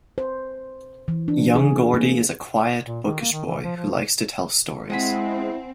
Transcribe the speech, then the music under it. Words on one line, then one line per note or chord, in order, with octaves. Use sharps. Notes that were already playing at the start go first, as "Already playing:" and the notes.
Young Gordie is a quiet, bookish boy who likes to tell stories.
C5
E3
D4
G#4
A#3
A#2
D#3
A#3
D#3
E3
F3
F3
G#3 C4 E4 F#5 G#5 B5